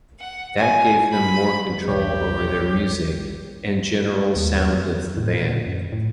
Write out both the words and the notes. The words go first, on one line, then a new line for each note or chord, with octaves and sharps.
That gave them more control over their music and general sound of the band.
F#5
G#5
B5
B1 E2 G4 C#5
D#2
F2
A2
A#2
F#2
A2